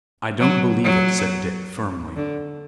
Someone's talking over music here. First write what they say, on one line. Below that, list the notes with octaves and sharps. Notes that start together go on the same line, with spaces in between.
"I don't believe it," said Dick, firmly.
F#3
F#3
D3